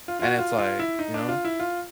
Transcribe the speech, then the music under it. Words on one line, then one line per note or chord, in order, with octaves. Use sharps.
And it's like, you know?
F4
F4
F#4
F4
F4
E4
D#4
D4
F4
E4
F4